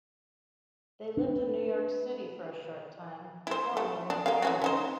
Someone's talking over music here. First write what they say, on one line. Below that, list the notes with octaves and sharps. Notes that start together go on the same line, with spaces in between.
They lived in New York City for a short time, before moving to France.
D4 B4
E4 C5
A3
D4
A#3 G4 F5
E3 C#4 F#4
C#4 D#4 C5